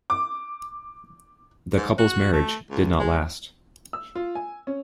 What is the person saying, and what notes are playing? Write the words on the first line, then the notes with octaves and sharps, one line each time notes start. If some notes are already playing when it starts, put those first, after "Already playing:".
The couple's marriage did not last.
D6
G#2
F#4
A3
C#2
G#3
E6
F4
G#5
C#4